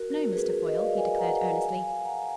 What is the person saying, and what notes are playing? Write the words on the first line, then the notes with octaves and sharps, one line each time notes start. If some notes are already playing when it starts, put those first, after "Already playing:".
"No, Mr. Foyle," he declared earnestly.
Already playing: F#4 A#4
F#4 A#4
G#4 B4
D#5
D5 F5
F5 G#5
F#5 A#5
F5 G#5
F5 G#5
F5 G#5
F#5 A#5